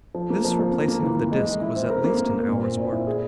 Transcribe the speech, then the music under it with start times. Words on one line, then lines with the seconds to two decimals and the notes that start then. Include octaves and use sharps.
This replacing of the disc was at least an hour's work.
0.15 F3
0.30 A#3
0.45 F3
0.59 F3
0.73 A#3
0.88 A#3
1.03 E3
1.16 E3
1.32 G#3
1.46 G#3
1.61 E4
1.75 C4
1.90 A#4
2.04 A#3
2.18 A#3
2.34 A#3
2.48 A#2
2.63 C4
2.77 A#2
2.92 E4
3.07 G#4